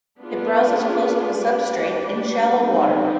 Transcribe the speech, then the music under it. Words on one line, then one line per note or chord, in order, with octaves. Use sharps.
It browses close to the substrate in shallow water.
B3 D4 F4 G#4
G#3 D4 G4 B4 D5
D3 G3 C4 D#4